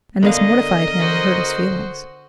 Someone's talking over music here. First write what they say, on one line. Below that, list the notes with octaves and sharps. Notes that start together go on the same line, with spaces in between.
And this mortified him and hurt his feelings.
D3 B3 A#4 D#5 F5
F#4 C5